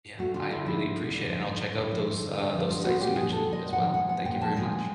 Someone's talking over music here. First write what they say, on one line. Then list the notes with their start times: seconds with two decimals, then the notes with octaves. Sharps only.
Yeah, I really appreciate it, and I'll check out those, uh those sites you mentioned as well. Thank you very much.
0.19 A3 F#4
0.34 D3 F4
0.50 D3 E4
0.66 F3 E4
0.82 A3
0.97 D3
1.13 D3
1.28 F3
1.44 A3 D#4
1.60 D3
1.75 D3 E4
1.92 F3
2.07 A3
2.22 D3
2.37 D3
2.53 F3
2.69 G#3 F4
2.84 B3 F#4
3.00 A#2 G4
3.16 F3 G#4
3.32 G#3 A4
3.47 B3
3.53 D#5
3.62 A#2
3.73 F#5
3.78 F3
3.94 G#3 F#5
4.09 B3 F#5
4.25 A#2 G5
4.41 F3 A5
4.57 G#3 G#5
4.73 B3